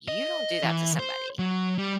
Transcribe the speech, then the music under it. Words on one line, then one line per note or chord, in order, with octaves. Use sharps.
you don't do that to somebody.
D#5
E3
C5
F#3
G3